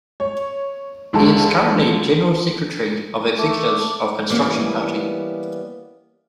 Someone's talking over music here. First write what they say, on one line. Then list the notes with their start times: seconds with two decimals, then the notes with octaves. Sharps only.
He is currently General Secretary of Executives of Construction Party.
0.20 C#5
1.13 A1 D#2 G#3 A4 A5
3.38 A3 D6
4.30 E3 G3 A#3 B3 C#4